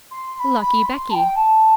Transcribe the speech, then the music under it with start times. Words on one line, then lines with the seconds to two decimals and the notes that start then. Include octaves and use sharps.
'Lucky Becky!
0.11 C6
0.35 C6
0.39 B5
0.60 B5
0.85 C6
1.10 A5
1.13 G5
1.35 A5